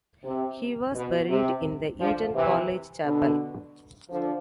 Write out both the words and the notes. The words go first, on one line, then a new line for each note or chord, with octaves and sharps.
He was buried in the Eton College chapel.
C3
B2
C3
D3 F3
C3 E3
B2 D3
D3 F3